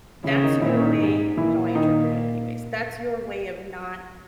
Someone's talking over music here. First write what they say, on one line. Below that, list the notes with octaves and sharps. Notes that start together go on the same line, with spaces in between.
that's your way- how I interpret it anyways- that's your way of not
C#3 E3 E4
D#3 D#4
A#2 E3 E4
C#4
D#3 D#4
G#2
A#2 E3 E4
D#3 D#4